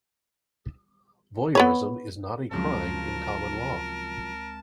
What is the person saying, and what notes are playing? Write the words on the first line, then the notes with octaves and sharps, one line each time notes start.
Voyeurism is not a crime in common law.
B3 B4 C#5
D2 C#3 F3 F#3 G#3 C4 A#4 A5